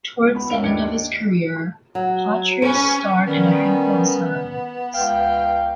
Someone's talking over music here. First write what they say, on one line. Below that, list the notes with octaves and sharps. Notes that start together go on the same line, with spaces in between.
Towards the end of his career Hawtrey starred in a handful of silent movies.
C#2
B3 B5
G#2 C#4 A#4 E5 D7 F7
D#2 D4 D#5 G#6 C#7
F#3
C#4 B4 C5
D#3 G3 B3 C#4
C#2 F5 G5